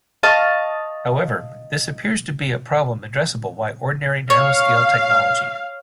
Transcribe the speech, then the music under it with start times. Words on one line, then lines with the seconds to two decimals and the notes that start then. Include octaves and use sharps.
However, this appears to be a problem addressable by ordinary nanoscale technology.
0.23 D#5 F5 A5 C#6
4.30 C#5 F5